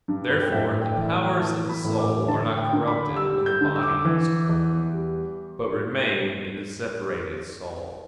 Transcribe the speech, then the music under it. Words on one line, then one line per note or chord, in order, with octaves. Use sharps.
Therefore the powers of the soul are not corrupted when the body is corrupted, but remain in the separated soul.
G2
B4
G5
A2 E5
G5
D5
E3 E5
G5
E3 A5
B5
A2
D6
D3 A5
G5
D3
B5
G3 E6
G6
D3
E6
D6
E6
E3
E2
G3